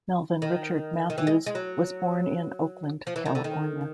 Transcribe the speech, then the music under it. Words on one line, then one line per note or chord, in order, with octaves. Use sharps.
Melvin Richard Matthews was born in Oakland, California.
D#3
D#3
E3
G#3
G#3
F#3
F3
E3
D#3
D3
D#3